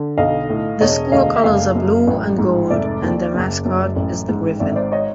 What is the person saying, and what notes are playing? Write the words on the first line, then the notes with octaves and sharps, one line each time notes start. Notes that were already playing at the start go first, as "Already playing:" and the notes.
The school colors are blue and gold and their mascot is the Griffin.
Already playing: D3
B1 D#5 F5
A2
E1 C#5 D#5
D2 D#5 F5
E5
F#1 D#5 F5
F#2
A1
G#2
F1 D5 E5
D#2
F#1
F#2
A1
G#2
G#1 D5 E5
C5 D5
C#5 D#5